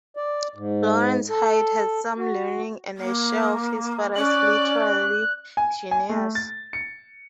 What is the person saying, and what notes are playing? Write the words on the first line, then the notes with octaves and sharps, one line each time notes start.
Laurence Hyde had some learning and a share of his father's literary genius.
D5
G#2
A4
F#4
A#3
C#4 D5 F#6
G#5
G#5
A3
A6
C#7